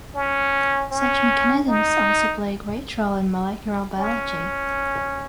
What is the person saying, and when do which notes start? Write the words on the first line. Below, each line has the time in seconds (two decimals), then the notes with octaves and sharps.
Such mechanisms also play a great role in molecular biology.
0.15 C#4
0.92 C#4
1.68 D#4
3.98 C#4